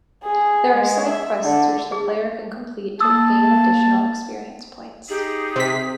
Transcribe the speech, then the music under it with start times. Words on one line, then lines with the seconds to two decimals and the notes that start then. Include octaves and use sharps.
There are side quests which the player can complete to gain additional experience points.
0.23 G#4
0.74 G#3
1.09 E5
1.42 D3
1.92 G#4
3.00 A#3 A5 D#6 E6
5.09 D#4 G4 G#4
5.56 C3 B6